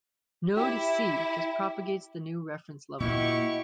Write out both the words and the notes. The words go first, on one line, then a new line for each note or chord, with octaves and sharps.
Node C just propagates the new reference level.
E4 G4
A#2 A#3 E4 F#4 G4 D#5 C#6